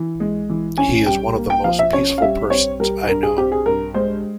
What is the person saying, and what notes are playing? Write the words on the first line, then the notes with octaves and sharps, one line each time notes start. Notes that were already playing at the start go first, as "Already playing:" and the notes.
He is one of the most peaceful persons I know.
Already playing: E3
G#3
E3
C#4 G#5
G3 G5
A#3
G5
F3 F5
E5
C#4 C#5
F5
G3 E5
C4 C#5
G3 A#4
G2 A#4
G#4
C4 G4
G#4
G2 A#4
G#3 C5